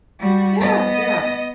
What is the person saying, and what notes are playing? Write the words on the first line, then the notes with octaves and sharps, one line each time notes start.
Yeah, yeah,
G3 F#4
B3 D#5